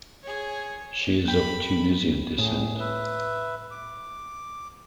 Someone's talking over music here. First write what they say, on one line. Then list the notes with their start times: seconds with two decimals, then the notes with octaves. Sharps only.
She is of Tunisian descent.
0.23 G#4 C#5
1.28 G5 B5
2.38 A2 G#4
2.79 B4 E5
3.71 D6